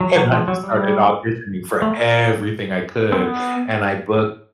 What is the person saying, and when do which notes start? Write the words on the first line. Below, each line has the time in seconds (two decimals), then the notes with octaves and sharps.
and I just started auditioning for everything I could and I booked
0.01 F#3
0.16 F#3
0.32 F3
0.48 F#3
0.63 G3
1.82 A3
1.90 A#3
3.12 C4
3.17 B3